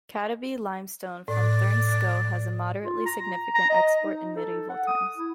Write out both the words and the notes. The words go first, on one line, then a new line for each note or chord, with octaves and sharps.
Cadeby limestone from Thurnscoe was a moderately significant export in medieval times.
A2 D5
F4
A#5
A#5
D#5
D#4
A4
F#5
D#6
E4